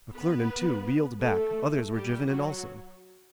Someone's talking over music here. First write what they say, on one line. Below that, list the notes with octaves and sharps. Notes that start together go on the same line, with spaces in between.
McClernand, too, reeled back, others were driven in also.
B3 B4
A3 A4
G3 G4
F#3 F#4